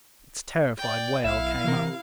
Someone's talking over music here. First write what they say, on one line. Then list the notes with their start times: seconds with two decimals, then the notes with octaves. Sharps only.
Its terrified wail came up.
0.77 D5 G5
1.24 B1 E4 E5 F5
1.64 C3 E3 A#4